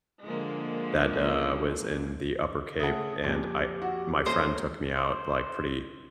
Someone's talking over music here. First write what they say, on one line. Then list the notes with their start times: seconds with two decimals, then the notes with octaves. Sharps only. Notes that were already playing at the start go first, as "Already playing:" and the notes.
that, uh, was in the Upper Cape, and I my friend took me out, like, pretty,
0.23 D3 F3 G#3 A#3
2.80 C#3 A3 G#4 E5 F#5 A5
3.24 A#1 F2 A#2 G4 D6
3.82 F#4 F#5
4.26 E1 A3 A#3 C#4 C5 D#5 C6
4.96 C5